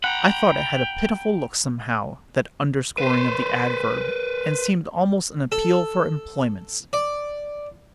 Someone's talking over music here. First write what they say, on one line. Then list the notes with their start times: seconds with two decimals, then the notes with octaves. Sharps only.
I thought it had a pitiful look somehow, that underscoring of the adverb, and seemed almost an appeal for employment.
0.04 F#5 G5 A#5 B5
2.98 B4 C5
5.52 A4
6.93 D5